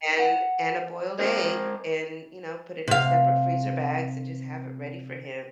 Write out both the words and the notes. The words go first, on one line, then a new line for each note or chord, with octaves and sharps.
and and a boiled egg and, you know, put it in separate freezer bags and just have it ready for him.
F#5
G#3 A#4 C5
C3 F5